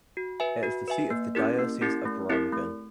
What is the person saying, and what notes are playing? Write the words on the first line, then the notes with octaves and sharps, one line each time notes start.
It is the seat of the Diocese of Borongan.
F#4
B4 E5 G#5
F#4
B4 E5 G#5
A#3
C#4 E4 G4 A#4
A#3
C#4 E4 G4 A#4
A3
C4 E4 G4 A#4
A3